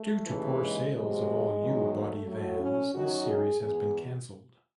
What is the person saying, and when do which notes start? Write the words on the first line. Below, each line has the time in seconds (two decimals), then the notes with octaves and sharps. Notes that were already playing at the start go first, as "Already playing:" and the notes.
Due to poor sales of all U-Body vans, this series has been cancelled.
Already playing: A3
0.26 D#2 C#3 E3
0.60 G#3
0.93 E2 C3 F#3 G#3
1.61 E2 D#3 F#3
1.94 A3
2.27 A2 F#3 A3
2.60 C#4
2.94 F#2 D#3 F#3 F#4
3.27 G#4
3.60 E2 G#4